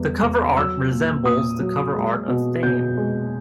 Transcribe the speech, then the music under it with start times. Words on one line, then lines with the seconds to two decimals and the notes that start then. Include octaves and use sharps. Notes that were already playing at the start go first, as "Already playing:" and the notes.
The cover art resembles the cover art of "Fame".
Already playing: E2 G3
0.22 E2
0.56 F#3 E6
0.91 A#2
1.25 A#2 D#6
1.60 F#3
1.94 G#3
2.28 B2
2.63 B2 G6
2.97 G#3